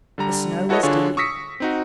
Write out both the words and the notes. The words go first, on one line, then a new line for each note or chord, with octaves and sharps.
The snow was deep.
D3 G3 A#5
E4 F#4 A4 B4 C#5 D#5
D3 D4 F4 G#4 C#5
C#6 D#6 E6 A#6 B6 C#7
C4 D#4 F#4